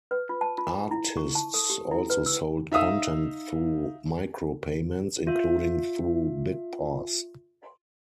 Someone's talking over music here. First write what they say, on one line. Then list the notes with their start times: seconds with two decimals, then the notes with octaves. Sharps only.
Artists also sold content through micropayments, including through BitPass.
0.11 B4
0.29 F4
0.41 A5
0.58 F4
0.91 E4
1.17 C#6
1.35 A5
1.54 A4
1.70 G4
1.91 E4
2.10 B4
2.26 E6
2.72 D#4 E5 F5 D#6 E6
5.27 F4 E5